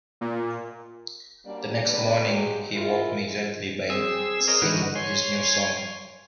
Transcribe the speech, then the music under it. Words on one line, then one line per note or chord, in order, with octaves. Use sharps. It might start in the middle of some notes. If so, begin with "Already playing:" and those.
The next morning he woke me gently by singing his new song.
A#2
G3 A#3 C#4 D4 F#4 D5
C#3 F#3 B3 D4 B4 D5
F#3 G#3 G4
E4 F4 A#4
C4 G#4 E6
G#4 A#4 C#5 D#5
D3 E3 D#4 F#4 B4
C#5 G#5 C6